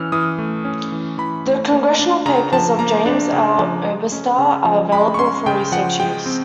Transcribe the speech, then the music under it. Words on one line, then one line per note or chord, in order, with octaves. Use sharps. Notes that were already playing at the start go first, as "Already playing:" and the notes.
The Congressional Papers of James L. Oberstar are available for research use.
Already playing: E3 C#4 E6 F6
E3 D#6
A3
C#4
E3
E3 B5
A3
A#3
D4
C#3 A#5
F3 A5
A#3 A#5
D4
C#3
F3
G#3
C#4
C#3
F3
G#3 B5
C#6
C#4 C6
C#3 G5
F3 F#5
G#3 G5
C4